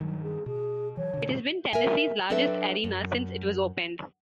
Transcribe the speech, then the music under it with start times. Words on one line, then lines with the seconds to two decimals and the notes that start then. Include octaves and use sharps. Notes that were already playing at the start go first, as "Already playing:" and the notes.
It has been Tennessee's largest arena since it was opened.
0.01 G2 D#3 F#3
0.23 G#4
0.46 B2 G#4
0.97 E3 F#3 C#5
1.14 B2 D3
1.73 A#4 E5 G#5
2.30 F#3 C4 D4 A4 B4 E5
2.84 F#2